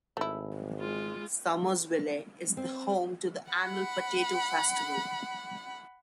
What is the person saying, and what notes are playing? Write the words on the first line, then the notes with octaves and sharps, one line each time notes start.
Summersville is home to the annual Potato Festival.
G#1 A3 E4
G#3 F4
C4
F#5 B5